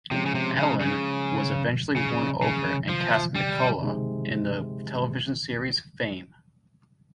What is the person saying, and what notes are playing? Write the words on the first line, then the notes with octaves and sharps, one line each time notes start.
Allen was eventually won over and cast McCullough in the television series "Fame".
C3 F3 G#3 C#4
C#3
C3
C#3
C#3
C#3
C#3
F3
G3
C3 D#3 G#3 C4